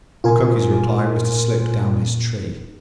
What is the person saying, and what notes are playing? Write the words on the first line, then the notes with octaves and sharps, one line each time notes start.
Mukoki's reply was to slip down his tree.
A#2 F4 A#4 G#5